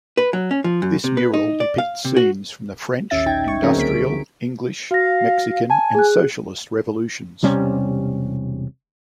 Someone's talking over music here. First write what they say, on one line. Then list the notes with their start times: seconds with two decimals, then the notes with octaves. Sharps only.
This mural depicts scenes from the French, Industrial, English, Mexican and Socialist Revolutions.
0.17 B4
0.33 F#3
0.51 C#4
0.64 F3
0.82 F#2
1.04 C3
1.17 B4
1.34 D#4
1.60 D5
1.78 F5
2.05 C3
2.17 F#4
3.10 A1 D#2 C#4 E5 A6
3.26 A#1 D#4 G5 G#6
3.48 C#6
3.63 D3 F#3 C4 C#4 G#4 A#4
3.76 C#2 A#3 A#4 B6 D7
3.91 G3
4.91 F#4 F5 A#6
5.70 G#5 A5
5.95 G#4 F#6
7.43 E1 C3 G3 C#4